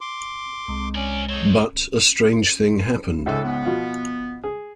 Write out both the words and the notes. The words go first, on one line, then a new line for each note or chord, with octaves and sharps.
But a strange thing happened.
C6 D6
C2 G#3
C4 C#4 D5
F2 C4 D#4 C#5
C#2 G#2 A4 E5
B3
B2 F3 F4
G#4